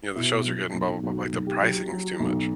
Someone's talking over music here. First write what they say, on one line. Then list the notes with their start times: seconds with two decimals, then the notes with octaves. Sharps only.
you know, the shows are good and blah blah blah, but the pricing is too much.
0.15 B2 E4
0.45 F#3
0.74 B1
1.03 B1 F#4
1.33 B1
1.47 G4
1.62 F#3
1.91 F#3
2.20 B1